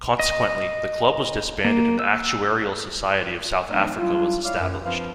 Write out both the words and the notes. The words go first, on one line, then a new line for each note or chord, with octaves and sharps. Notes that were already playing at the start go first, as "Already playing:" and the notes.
Consequently, the Club was disbanded and the Actuarial Society of South Africa was established.
D#5
A#3
E6
E3 F#3 A3 C4 D4 D#4
F#3 G3 D4 E4 F4
G#3 E4 C#5 D5 F5
F#2
F3 C4 D4 F4 B4 F5